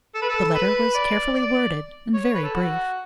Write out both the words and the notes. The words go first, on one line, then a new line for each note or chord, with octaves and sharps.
The letter was carefully worded, and very brief.
A4
B4
A4
B4
D5
D5
C#5
C#5
B4
A4
F#4